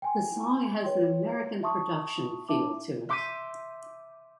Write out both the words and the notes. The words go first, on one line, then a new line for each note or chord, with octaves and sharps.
The song has an "American production" feel to it.
G5 G#5 C6
B4 C#5 G5 C6
E5 A5 C6 C#6 D#6
D4 E4 E5 A5 D6
E5 C6 D6 G6 B6 D#7